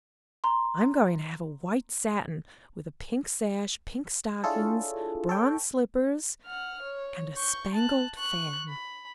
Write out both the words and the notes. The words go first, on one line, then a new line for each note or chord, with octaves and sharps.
"I'm going to have a white satin with a pink sash, pink stockings, bronze slippers, and a spangled fan."
A#5 C6
D4 E4 F4 G#4 A4 C#5
A4 C#5 G5
F#5 F6
C#5
C#6 G6
A5 F#6
C#6 F#6
B5